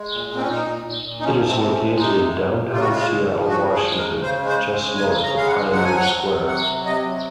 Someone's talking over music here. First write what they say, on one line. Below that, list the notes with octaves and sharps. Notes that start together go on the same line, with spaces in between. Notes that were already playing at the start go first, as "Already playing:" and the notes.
It is located in downtown Seattle, Washington, just north of Pioneer Square.
Already playing: G#3
A#2
A#2 C4
C#4
A#2 D#4
A#2
A#2
A#2
D#4
F3 C#4
C3
C4
F3 C4
C#4
G#3
C3 D#4
G#3
C3
C3
C#3 F4
F#4
G#3 F4
C#3
F3
C#3 F#4
F3
G#4
G#3
A#4
C#3
C#3 C5
G#3
C5
G#3
C#3
C#3 G#5
C#3
A#5
G#3 F5
F#5
F3
F#3 F#5
G#5
F#3 F#5
F#3
C3
F#3 F#5
C3
C3 D#5
F#3